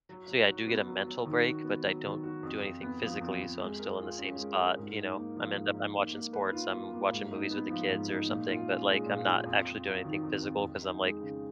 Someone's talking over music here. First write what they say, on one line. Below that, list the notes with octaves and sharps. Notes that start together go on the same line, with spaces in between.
so, yeah, I do get a mental break, but I don't do anything physically, so I'm still in the same spot, you know? I'm end up I'm watching sports. I'm watching movies with the kids or something, but, like, I'm not actually doing anything physical 'cause I'm like
F#3
F#3
F#4
B3
F#3
F#3
D#3
F#4
B3
F#3
D#3
F#4
F2
F2
B3
F3
F2
F2
G#3
A#4
F4
C#4
G#3
A#4
G#2
D#4
A#3
F3
G#2
D#4
A#3
A#3
B4
F4
A#3
A#3
G#2
D#4
B3
F3
G#2
D#4
A#2
F4
C#4
G#3
A#2
F4
F2
F2
F#3
D#3
F2
F2
F2
D#4
G#3
C#3